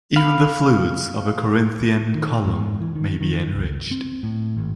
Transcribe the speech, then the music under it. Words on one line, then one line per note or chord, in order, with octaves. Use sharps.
Even the flutes of a Corinthian column may be enriched.
F5 B5
D#3
G#2
E3
D#3
D#3
C#2
C4
A2
G#1